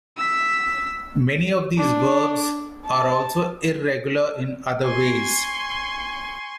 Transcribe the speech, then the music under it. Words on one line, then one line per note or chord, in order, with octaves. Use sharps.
Many of these verbs are also irregular in other ways.
E6 B6
D4
A5
G#5 C6 C#6